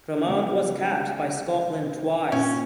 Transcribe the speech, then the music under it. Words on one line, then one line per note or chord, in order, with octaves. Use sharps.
Drummond was capped by Scotland twice.
C#3 G#3 B3
A#2 C#4